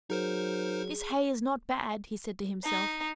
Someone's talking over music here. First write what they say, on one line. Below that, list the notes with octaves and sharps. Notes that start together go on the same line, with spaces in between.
"This hay is not bad," he said to himself.
F#3 D#4 G#4 A#4 C5
D#4